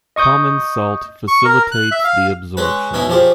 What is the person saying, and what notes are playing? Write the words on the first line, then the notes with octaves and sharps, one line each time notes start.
Common salt facilitates the absorption.
D#5 C#6 D#6 G6
C#6
A#4
F#6
E5
F5
G#3 C#4 B4
B2 C#4 D#4 E4
F3 C#4 F4 G4 G#4